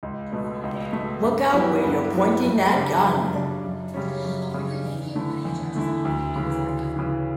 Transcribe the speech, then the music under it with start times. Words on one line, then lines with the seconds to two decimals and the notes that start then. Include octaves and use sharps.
Look out where you're pointing that gun!
0.03 C#2
0.32 B2 A3
0.63 C#2
0.93 B2 A3
1.23 G2
1.53 F#3 B3 E4 G4
1.84 G2
2.13 F#3 B3 E4 G4
2.44 F#2
2.74 C#3 G3 D4
3.04 F#2
3.34 C#3 G3 D4
3.64 F#2
3.94 C#3 G3 C#4
4.24 F#2
4.54 C#3 G3 C#4
4.85 E2
5.15 D3 A3 E4
5.45 E2
5.75 D3 A3 E4
6.05 D2
6.36 C#3 E3
6.65 D2
6.96 C#3 E3